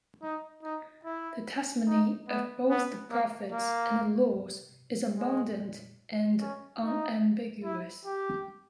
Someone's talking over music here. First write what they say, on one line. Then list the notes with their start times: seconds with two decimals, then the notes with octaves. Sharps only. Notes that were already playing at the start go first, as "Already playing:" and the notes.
The testimony of both the prophets and the laws is abundant and unambiguous.
0.22 D#4
0.63 D#4
1.05 E4
1.87 D#4
2.29 B3
2.70 B3
3.11 A#3
3.52 A#3
5.16 G#3
6.40 C#4
6.82 D#4
7.64 E4
8.05 G4